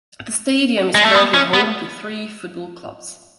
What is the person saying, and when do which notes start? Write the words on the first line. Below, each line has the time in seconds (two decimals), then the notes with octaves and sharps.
The stadium is currently home to three football clubs.
0.95 G#3
1.05 A3
1.14 B3
1.34 C#4
1.54 B3